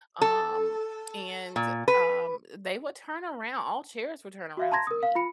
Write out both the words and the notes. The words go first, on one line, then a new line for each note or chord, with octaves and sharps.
um, and, um, they would turn aroun all chairs would turn around for me.
A4
A#2
B4
F#4 E5 F5
A5 A#5 C6 G#6 A#6
A#4 D#6
F5
F4 B5 C#7